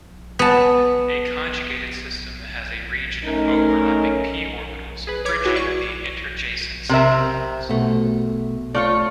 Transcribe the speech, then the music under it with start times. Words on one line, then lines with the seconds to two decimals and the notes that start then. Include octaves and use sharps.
A conjugated system has a region of overlapping p-orbitals, bridging the interjacent single bonds.
0.39 B3 A5
3.25 A3 C#4 D#4 A#4
5.07 G#4 B4
5.25 B4 C#5 D6 G#6
5.44 E4 F#4 G#4
5.56 D5 C#6
6.89 C3 A#4 E5
7.69 B2 A3
8.75 A3 F4 C#5 D5